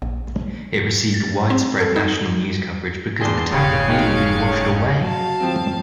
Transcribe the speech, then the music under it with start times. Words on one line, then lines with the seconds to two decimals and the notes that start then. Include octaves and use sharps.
It received widespread national news coverage because the town had nearly been washed away.
0.02 A#1
1.14 A6
1.50 C4
1.80 A4
1.96 D#4
3.21 E2 D4 G#4 C6
3.52 F1 C#2 C#3 G4 F5 B5 C#6
3.88 D#2 G#2 D#3
5.00 F#3 F5 A5
5.40 F3 C4